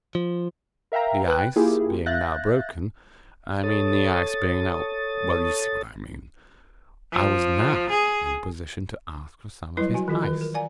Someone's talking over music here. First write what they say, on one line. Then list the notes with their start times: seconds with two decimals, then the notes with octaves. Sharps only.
The ice being now broken--I mean the ice being now--well, you see what I mean--I was now in a position to ask for some of his ice.
0.15 F3
0.92 A#4 E5 F5 G5 A#5
1.28 B4 G5 F#6
1.56 A#3 E4 F4 G4 G#4
2.06 E5 F5 F#6 G6 A6 A#6
3.63 A4 C#5 D#6 A6
7.12 F3
7.90 G#4
9.77 F#3 G3 E4 B4 D#5
9.94 F#3 F#4 G#5
10.08 D#3 E3 F4 G#4 D#5
10.23 D#3 B4
10.41 A#4
10.54 D5 F5 G#5 A#5